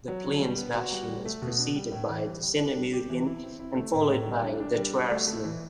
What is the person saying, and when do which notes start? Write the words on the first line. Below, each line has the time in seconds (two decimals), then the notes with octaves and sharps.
The Pliensbachian is preceded by the Sinemurian and followed by the Toarcian.
0.08 F#3
0.24 D3
0.42 G3
0.58 B3
0.75 F#4
0.92 G3
1.08 G3
1.25 A3
1.42 B2
1.59 D4
1.75 G3
1.92 A2
2.09 E3
2.26 G3
2.42 G3
2.60 D4
2.76 G3
2.93 G4
3.10 E3
3.26 E4
3.43 C4
3.59 E4
3.77 A3
3.93 A2
4.10 A2
4.27 G3
4.43 D4
4.60 D4
4.77 G3
4.94 F#4
5.10 A3
5.27 A3
5.44 E3